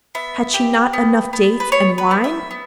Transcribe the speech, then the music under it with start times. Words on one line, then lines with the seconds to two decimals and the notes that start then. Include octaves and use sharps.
Had she not enough dates and wine?'
0.15 B3 E5
0.54 G4
0.93 B3
1.33 B3
1.60 B4
1.72 B3 C#5
1.98 B4
2.11 B3
2.24 E5
2.51 B3